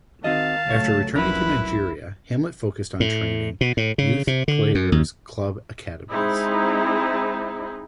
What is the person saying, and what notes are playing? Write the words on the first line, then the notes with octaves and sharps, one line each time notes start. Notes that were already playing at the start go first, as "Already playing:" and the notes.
After returning to Nigeria Hamlet focused on training youth players club academies.
D#3 C4 F#4 D#5 F5 A5
C#2 F#3 A3 C#5
F1 C2 F2 F#3 C#4 E4 A#4 B4
A2
B2
A2
C#3
C3
D3
F#2
D#2
G#3 C4 D#4 E4